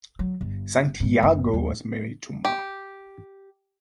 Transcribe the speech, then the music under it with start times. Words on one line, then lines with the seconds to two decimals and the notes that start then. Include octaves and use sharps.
Santiago was married to Ma.
0.19 F#3
0.41 G1
1.00 G#2 D#3
1.23 F#1
1.53 D#2 G3
2.45 G4